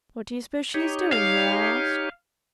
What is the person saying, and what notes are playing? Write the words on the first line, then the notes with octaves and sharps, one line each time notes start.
"What do you suppose she is doing here?" I asked.
D#4 G4 C#5
F5